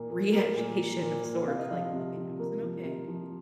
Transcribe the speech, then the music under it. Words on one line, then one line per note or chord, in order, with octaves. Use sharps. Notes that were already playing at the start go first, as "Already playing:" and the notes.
reeducation of sorts. Like, "Okay, that wasn't okay."
Already playing: A#2 A#3
A#3
A#3
A#2
A#2
A#2
A#2
C3 F5
D#5
F3 F5
C3
F3
A#3
F3
C3
F3